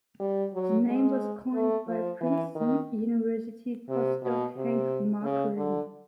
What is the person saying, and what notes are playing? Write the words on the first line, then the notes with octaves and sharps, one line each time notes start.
The name was coined by Princeton University postdoc Henk Marquering.
G3
F#3
G#3
A3
F3
E3
D#3
C3
B2
C3
C#3
D3